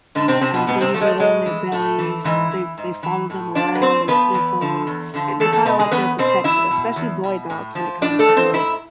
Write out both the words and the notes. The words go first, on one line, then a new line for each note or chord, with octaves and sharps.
Um, they usually lay on their bellies. They they follow them around, they sniff 'em. Eh they're kinda like their protector, especially boy dogs when it comes to
G#2 D3 D4
C3 C4
C3 F3 C4
B2 B3
G#2 B2 B3
C3 C4
F3 A3
G#3
A3
A2 G#3
E3
A2 A3
E3
G#2 E3 E4
E3
G#2
E3
A2
F3 D4 D5
B4
A2 C4 C5
F3 B3 B4
E2
D3 F3
E2
D3 F3
E2 A3 A4
A3 A4
B2 B3 B4
G#3 G#4
E2 B3 B4
B2 C4 C5
E2 E4 E5
B2
E2
B2
A2
F3
A2 D4 D5
A3 A4
F3
C4 C5
G#2 E4 E5